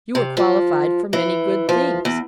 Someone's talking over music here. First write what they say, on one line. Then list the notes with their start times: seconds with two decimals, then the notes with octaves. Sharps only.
You are qualified for many good things.
0.15 C3
0.37 F3
1.13 E3
1.69 F3
2.05 E2